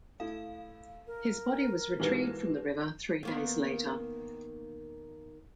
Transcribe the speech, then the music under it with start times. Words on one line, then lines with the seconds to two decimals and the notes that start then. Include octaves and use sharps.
His body was retrieved from the river three days later.
0.20 A3 E4 F5
1.07 A#4
2.00 G#2 B2 E3 D#4 G4 B4
3.23 D#3 A#3 B3